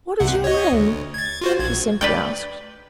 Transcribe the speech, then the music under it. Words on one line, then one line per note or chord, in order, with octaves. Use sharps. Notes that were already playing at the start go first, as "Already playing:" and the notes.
"What is your name?" she simply asked.
C2 C3 F#5
C#5 D#5
D2
G#6 A6
F4 F#4 C5
A#1 G#6
B4 D5 G5